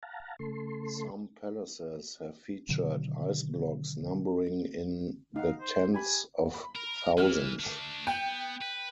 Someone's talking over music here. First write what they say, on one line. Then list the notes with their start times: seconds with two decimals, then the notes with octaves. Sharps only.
Some palaces have featured ice blocks numbering in the tens of thousands.
0.03 F5 F#5 A5 A#5
0.39 C#3 A3 A4 C6
2.69 B2 D3 D#3 F#3
5.36 D#4 F5 F#5
5.61 C5
5.94 G4 G5 G#5 B5
6.54 B5
6.76 A#4
7.18 E3 F6
7.59 A3 D4
8.07 B3 G5
8.61 B4